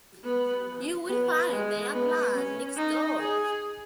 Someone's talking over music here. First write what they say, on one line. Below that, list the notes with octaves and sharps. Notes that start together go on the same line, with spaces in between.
You will find the young man next door.
B3
B3
G#3
B3
C#4
D#4
G#4